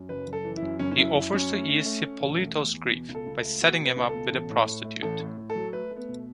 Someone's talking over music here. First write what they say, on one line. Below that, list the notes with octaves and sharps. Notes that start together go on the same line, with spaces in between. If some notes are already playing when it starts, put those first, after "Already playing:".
He offers to ease Hippolito's grief by setting him up with a prostitute.
Already playing: F#2
F#1 B4
F#1
A4
E3
E4
F#2
F#1 C#4
C#4
F#2 E4
F#2 E4
F#2 C#4
A3
A3
A3
A3
E1
A3
E2
E2
B2
C#2
A4
C#2
A4
A3
B2 F#4
B2
B4
C#2
A4
B2
A1
A2
A2
A3
A1 A4
A2
A2
A4
F#3
A3 B4
A3
B3
B2